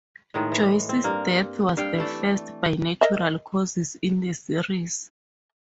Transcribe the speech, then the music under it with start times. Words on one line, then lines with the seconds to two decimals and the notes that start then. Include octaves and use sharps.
Joyce's death was the first by natural causes in the series.
0.34 A2 D#3 G#3
0.52 E3
0.89 C4
1.04 G2 A#3
1.77 G2 F5 G5
1.98 E3 A3 D5
3.01 A#4 D#5 E5